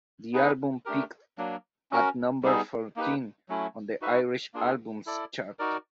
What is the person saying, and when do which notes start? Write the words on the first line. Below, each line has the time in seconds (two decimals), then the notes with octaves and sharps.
The album peaked at number fourteen on the Irish Albums Chart.
0.33 B3 D#4 G#4 B4
0.85 A3 D4 G4 A#4
1.38 F#3 A#3 D4
1.91 C#4 F#4 A#4
2.43 G3 B3 D#4 G#4
2.96 A#3 D#4 G4 B4
3.49 F#3 A3 C#4 E4
4.01 D#4 F#4 B4 E5
4.54 A#3 D4 F4 G#4
5.06 E4 A4 D5
5.59 D#4 F#4 A#4 D5